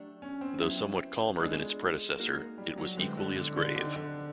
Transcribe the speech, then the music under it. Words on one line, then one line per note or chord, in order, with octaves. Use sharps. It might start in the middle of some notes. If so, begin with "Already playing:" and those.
Though somewhat calmer than its predecessor, it was equally as grave.
Already playing: F#3 A3 D4 G4
C#4
C4
F#3 B3 E4 G4
G#3 B3 D4 F4 A4
A#3 D#4 F#4 A#4
G3
F#3
D3 G#3 C4 E4 G4 B4
D3
D3
D3
D3 C4 D#4 G4
D3